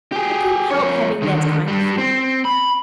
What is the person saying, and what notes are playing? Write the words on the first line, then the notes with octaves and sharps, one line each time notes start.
I couldn't help having that kind of feet.
G4 G#4
F2 C#5
D3 D#3
G2 G3
C4
B5